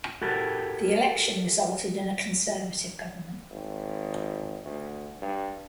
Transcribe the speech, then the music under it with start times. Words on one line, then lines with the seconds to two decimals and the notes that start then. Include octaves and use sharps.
The election resulted in a Conservative government.
0.22 F#4 G4 A4 A#4
3.50 G#1
4.65 D2
5.22 G2